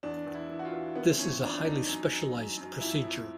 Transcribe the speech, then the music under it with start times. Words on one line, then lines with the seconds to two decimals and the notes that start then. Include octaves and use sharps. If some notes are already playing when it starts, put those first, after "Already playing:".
This is a highly specialized procedure.
0.03 E2 D4
0.27 E2
0.34 E4
0.49 E3
0.59 F#4
0.65 F4
0.73 E3
0.95 D3 B3
1.09 C4
1.19 F2 C#4
1.42 F2 D4
1.65 F2 D#4
1.88 F#2
2.12 F#2
2.34 F#2
2.57 F#2
2.81 F2 E4
3.04 F2